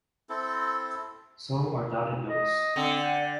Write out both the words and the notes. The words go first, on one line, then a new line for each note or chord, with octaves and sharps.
So are dotted notes.
C4 E4 A4
D#5
D3 C4
G5
D5